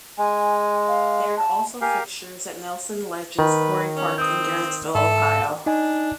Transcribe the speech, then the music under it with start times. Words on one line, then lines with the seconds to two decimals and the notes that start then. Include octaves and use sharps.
They are also fixtures at Nelson Ledges Quarry Park in Garrettsville, Ohio.
0.18 G#3 G#5
0.88 F5
1.37 A5
1.81 G4 A#4 F5 G#5
3.39 D#3 B4
3.96 C#4
4.18 C4 D#6 G6
4.95 G#2 A4 E5
5.66 D4 D#4 D#5 G#5